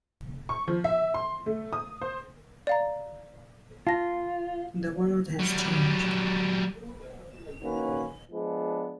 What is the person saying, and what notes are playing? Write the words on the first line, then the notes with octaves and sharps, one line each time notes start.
The world has changed.
C#6
F3
E5
C6
A3
D#6
C5
D5 F5 A#5
F4 A5 A#6
F#3 G3
D#3 A#3 C#4 F#4 B4
F3 G#3 B3 D4